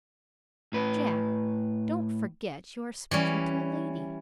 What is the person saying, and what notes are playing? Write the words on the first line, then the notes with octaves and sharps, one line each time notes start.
"Jack! don't forget you are speaking to a lady."
A2 B4
E3 G3 C#4